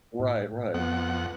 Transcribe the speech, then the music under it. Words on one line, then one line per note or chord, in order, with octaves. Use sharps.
Right, right.
A2
F2 B3 F#5